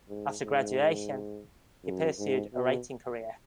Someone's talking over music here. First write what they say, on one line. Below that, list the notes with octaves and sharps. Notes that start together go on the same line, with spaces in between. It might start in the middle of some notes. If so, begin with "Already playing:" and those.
After graduation, he pursued a writing career.
G#2
G#2
F#2
G#2
B2